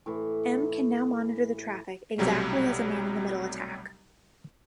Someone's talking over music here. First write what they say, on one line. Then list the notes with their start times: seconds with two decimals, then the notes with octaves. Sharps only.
M can now monitor the traffic, exactly as in a man-in-the-middle attack.
0.06 A2 E3
2.18 B1 C3 F#3 G3 A3